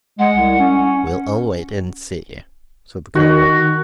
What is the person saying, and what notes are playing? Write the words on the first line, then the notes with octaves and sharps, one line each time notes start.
"We'll all wait and see," said the colonel.
G#3 F#5
C2
C#4
D#3 F#4